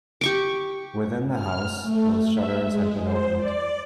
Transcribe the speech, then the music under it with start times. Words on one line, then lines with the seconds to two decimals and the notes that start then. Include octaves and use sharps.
Within the house those shutters had been opened.
0.21 G4 C#6 D6
1.34 F6
1.82 A3
2.32 E5
2.65 G#3
3.04 C5
3.36 D5